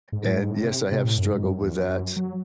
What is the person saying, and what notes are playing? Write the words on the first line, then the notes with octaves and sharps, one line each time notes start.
And, yes, I have struggled with that,
G#2
A2
G#2
A2
C3
C3
A2
F#2
G#2
F#2
E2
F#2
F#2
F#3